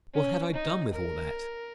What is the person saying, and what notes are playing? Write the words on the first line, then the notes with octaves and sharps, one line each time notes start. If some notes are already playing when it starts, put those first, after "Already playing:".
What had I done with all that?
C#4
D#4
A#4